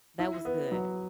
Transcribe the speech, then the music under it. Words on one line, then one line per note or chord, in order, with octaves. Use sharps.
That was good.
E4
B3
F#3